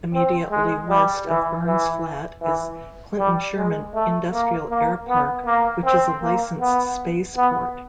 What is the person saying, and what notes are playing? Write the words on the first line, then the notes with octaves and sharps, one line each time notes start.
Immediately west of Burns Flat is Clinton-Sherman Industrial Airpark which is a licensed spaceport.
C4
G#3
G3
E3
E3
E3
G3
G#3
A3
A#3
A#3
B3
A#3
C4
A#3
B3
B3